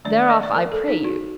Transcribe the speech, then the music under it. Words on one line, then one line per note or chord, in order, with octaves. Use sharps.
Thereof I pray you.
D#3 A3 D4 D5
D5
D#5
D5
A#4
A4
D#4
F#4